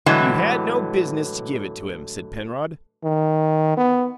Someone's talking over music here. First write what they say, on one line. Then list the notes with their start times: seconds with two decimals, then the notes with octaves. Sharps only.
"You had no biz'nuss to give it to him," said Penrod.
0.06 A2 D3 E3 F#3 G#3
3.04 D#3
3.77 B3